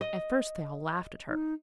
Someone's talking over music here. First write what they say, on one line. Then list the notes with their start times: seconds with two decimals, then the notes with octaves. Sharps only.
At first they all laughed at her.
0.01 D#5
1.29 D#4